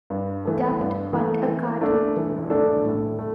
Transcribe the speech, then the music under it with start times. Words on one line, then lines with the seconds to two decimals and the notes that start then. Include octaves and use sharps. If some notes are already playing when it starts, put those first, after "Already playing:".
Dubbed What a Cartoon!
0.10 G2
0.45 E3 A3
0.80 G2
1.13 E3 A3
1.48 E3
1.81 A3 D4 A4 D5
2.17 E3
2.50 A3 D4 A4 D5
2.85 A2
3.19 A3